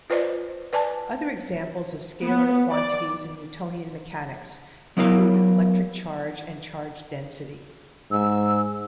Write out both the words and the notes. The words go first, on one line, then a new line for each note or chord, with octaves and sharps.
Other examples of scalar quantities in Newtonian mechanics include electric charge and charge density.
F4 B4 C5 D5 D#5
B4 D5 G#5 A5
B3
D5
F#3 B3 E4 A#4 F5
G#2 E6